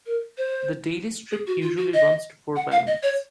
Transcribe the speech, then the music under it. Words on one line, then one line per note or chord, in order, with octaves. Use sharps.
The daily strip usually runs to four panels.
A#4
C5
G#4
F#4
F4
F#4
D#5
F#5
F5
D#5
C#5